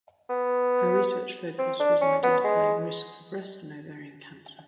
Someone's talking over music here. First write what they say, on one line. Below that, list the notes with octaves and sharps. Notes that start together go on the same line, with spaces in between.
Her research focus was on identifying risk for breast and ovarian cancer.
B3
C4
D4
C#4
B3
G#3